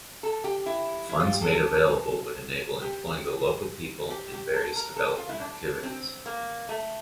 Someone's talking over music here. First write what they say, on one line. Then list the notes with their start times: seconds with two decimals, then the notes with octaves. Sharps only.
Funds made available would enable employing the local people in various development activities.
0.23 A4
0.44 G4
0.66 E4
1.09 E4
1.20 F4
1.31 G4
1.42 A4
1.52 A4
1.73 A4
2.82 G4
4.10 G4
4.32 G4
4.54 A4
4.76 A#4
4.96 A4
5.07 G4
5.18 F4
5.29 E4
5.40 D4
5.83 C4
6.26 A#3
6.69 A3